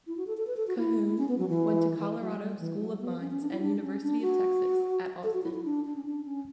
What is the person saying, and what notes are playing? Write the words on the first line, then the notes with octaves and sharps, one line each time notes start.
Cahoon went to Colorado School of Mines and University of Texas at Austin.
E4
F#4
A4
A4
B4
A4
F#4
E4
C#4
B3
F#3
E3
E3
F#3
G3
E3
F#3
B3
C#4
C#4
D4
E4
D4
D4
C#4
D4
F#4
A4
F#4
E4
E4
D4
D4
C#4
D4
C#4